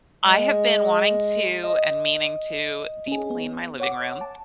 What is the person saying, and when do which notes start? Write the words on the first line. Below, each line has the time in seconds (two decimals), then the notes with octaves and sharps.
I have been wanting to and meaning to deep clean my living room,
0.24 G#3
1.64 D#5
3.08 C#4 G#4
3.30 B3
3.80 C#5 F#5 D6
4.21 A5